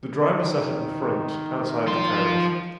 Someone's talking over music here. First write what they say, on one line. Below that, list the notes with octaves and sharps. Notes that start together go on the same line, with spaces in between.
The driver sat at the front, outside the carriage.
D#3
F3 C6